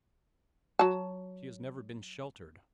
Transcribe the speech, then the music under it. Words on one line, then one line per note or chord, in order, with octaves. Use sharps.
She has never been sheltered.
F#3 A5